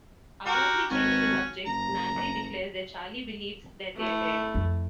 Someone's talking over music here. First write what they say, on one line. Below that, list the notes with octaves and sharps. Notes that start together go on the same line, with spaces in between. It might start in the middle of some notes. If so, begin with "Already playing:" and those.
Abruptly changing the subject, Nancy declares that Charlie believes that they are dead.
F#4 G4 A#4
G#1 C#4 F#4
F#1 A#5
A3 E4
F2